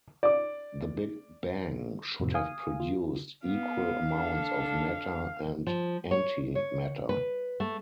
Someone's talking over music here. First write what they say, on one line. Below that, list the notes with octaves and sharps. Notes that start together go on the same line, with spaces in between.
The Big Bang should have produced equal amounts of matter and antimatter.
D5 D6
F2 A2 C3
F5 G#5 D#6
F4
B3 F5
D4 A4
F3
C#5
C#5
B4
A3